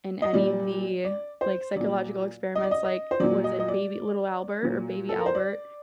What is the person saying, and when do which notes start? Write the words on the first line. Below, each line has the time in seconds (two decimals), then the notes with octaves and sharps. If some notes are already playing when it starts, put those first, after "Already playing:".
in any of the, like, psychological experiments, like, what is it, baby Little Albert or baby Albert,
0.22 D#5
0.33 A#2 G3 D5
1.04 D5
1.41 C5
1.76 A#2 F#3 D5
2.55 D#5
2.64 D5
2.71 D#5
2.85 D#5
3.11 C5
3.20 A#2 F#3 D5
3.44 D#5
3.60 D#5
3.68 D5
4.63 A#2 F#3
5.09 A4
5.18 A#4
5.26 C5
5.35 D5